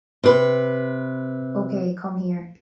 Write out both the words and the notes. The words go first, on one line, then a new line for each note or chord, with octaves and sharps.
Okay, come here.
C3 B4